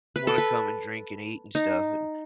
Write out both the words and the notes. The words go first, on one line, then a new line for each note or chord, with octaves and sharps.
wanna come and drink and eat and stuff. And,
B4
A4
B4
D#4